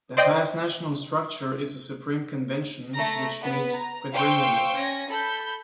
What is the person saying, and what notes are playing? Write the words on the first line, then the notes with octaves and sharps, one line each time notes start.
The highest national structure is the Supreme Convention, which meets quadrennially.
C5 D5 D#5 G5
A3 A#5 A#6
B3
A#5
C5 F5 G5 C6 C#6 E6
C#4 G#6 A#6
A4 B5 G6